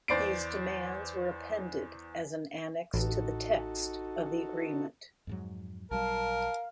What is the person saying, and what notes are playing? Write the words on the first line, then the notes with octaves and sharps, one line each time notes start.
These demands were appended as an annex to the text of the agreement.
E2 C5 D5 C7 D7
A1 D#4 F#4 A4
F2 G#2 F#3
B1 F#3 G3 A#4 F5 A5